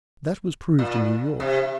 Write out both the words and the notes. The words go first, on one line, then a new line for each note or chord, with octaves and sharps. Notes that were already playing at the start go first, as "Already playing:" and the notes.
That was proved in New York.
A#2
C3